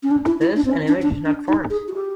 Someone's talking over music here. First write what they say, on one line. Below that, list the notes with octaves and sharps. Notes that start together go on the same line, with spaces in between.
Thus, an 'image' is not formed.
C#4
D4
E4
E4
D4
C4
C#4
D4
D4
D4
D#4
G#4
F#4
G4